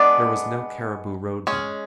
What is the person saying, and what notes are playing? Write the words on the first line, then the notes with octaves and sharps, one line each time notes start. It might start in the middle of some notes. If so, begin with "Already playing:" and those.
There was no Cariboo Road then.
Already playing: G#3 B3 D4 D5
G#3 C#4